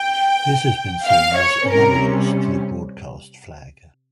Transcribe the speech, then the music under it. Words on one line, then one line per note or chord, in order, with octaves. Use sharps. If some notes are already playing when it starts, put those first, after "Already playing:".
This has been seen as analogous to the broadcast flag.
Already playing: G5
F5
C#5
C3 G3 C#4 A#4